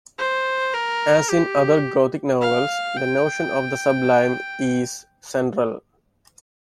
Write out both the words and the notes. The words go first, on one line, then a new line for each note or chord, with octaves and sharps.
As in other Gothic novels, the notion of the sublime is central.
C5
A#4
G4
F5
G5